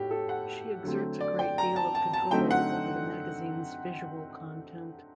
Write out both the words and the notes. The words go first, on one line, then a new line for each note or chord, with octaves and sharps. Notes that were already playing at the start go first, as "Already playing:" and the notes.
She exerts a great deal of control over the magazine's visual content.
Already playing: A2 D#4 F#4 G4
A4
F#5
D3 F#3 A3 C4
D5
G5
A#5
A5
A5
A5
D3 F#3 A3 C4 D#4 G5
F#5